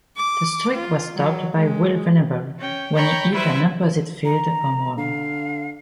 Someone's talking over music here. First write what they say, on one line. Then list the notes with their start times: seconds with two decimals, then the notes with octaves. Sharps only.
The streak was stopped by Will Venable when he hit an opposite-field home run.
0.17 D6
0.75 F4
1.16 F#3
1.55 G#3
2.59 C#4 G5
2.96 C#5 G5 A#5 B5 C#6
3.32 G3 E4 B4 C5 E5
4.25 A#5
4.98 D3 F5